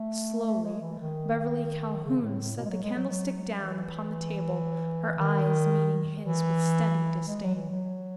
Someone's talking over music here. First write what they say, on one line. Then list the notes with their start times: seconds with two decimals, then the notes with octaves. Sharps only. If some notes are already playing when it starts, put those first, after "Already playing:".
Slowly Beverly Calhoun set the candlestick down upon the table her eyes meeting his with steady disdain.
Already playing: A3
0.47 A3
0.65 G#3
0.82 E3
1.00 D#3
2.05 C#3
2.22 A2
2.40 A2
2.57 B2
2.65 G#3
2.70 F#3
2.83 G#3
2.97 F#3
3.09 F#3
3.62 E3
5.19 D#3
6.23 E3
7.28 G#3
7.43 F#3
7.55 E3
7.70 F#3